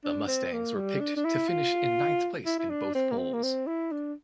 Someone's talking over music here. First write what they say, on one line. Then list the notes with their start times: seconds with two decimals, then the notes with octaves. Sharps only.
The Mustangs were picked to finish in ninth place in both polls.
0.04 D4
0.28 C4
0.53 A#3
0.76 G3
1.00 D4
1.16 D4
1.25 E4
1.48 F4
2.46 E4
2.59 E4
2.70 D4
2.95 C4
3.11 A#3
3.18 C4
3.33 A#3
3.43 C4
3.67 E4
3.91 D4